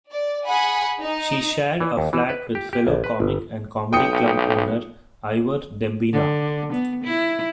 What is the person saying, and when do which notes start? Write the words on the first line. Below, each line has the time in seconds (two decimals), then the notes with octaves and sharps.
She shared a flat with fellow comic and comedy club owner Ivor Dembina.
0.10 D5
0.47 G#4 F#5 G#5 B5
1.02 D#4
1.80 E3
1.97 D#2
2.13 E3
2.29 B4
2.55 G4
2.73 G4
2.87 A#1
3.04 B4
3.20 G1
3.93 B1 G5 D#6 C#7
6.13 D3
6.73 B3
7.05 E4